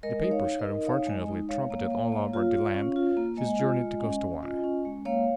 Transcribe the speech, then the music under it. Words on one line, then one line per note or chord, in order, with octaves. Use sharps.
The papers had unfortunately trumpeted all over the land his journey to Costaguana.
G#3 A#4 D#5
D#4
C#5 F5
D#4
A#4 D#5
D#4
D#4 C#5 F5
G#3 D#5 G#5
D#4
G#3 C#5 F5
A#3
A#3
A#3
F4
F4
C#4
F4
A#3
G#3 D#5 G#5
F4
G#3
C#4
C#4
F4
C#4
G#3
A#3 C#5 F5